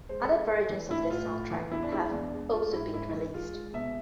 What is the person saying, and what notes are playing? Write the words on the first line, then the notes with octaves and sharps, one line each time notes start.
Other versions of this soundtrack have also been released.
G#3 C5
A4
G#3
G#3
E3
A2 E4
A2 F4
A2
E3
E2 E4
D4
G#3 E4
E2 D4
G#3
G#3 F4
G#2 E4
G#2 E4
E3
G#3 F4
G#3
B2 E5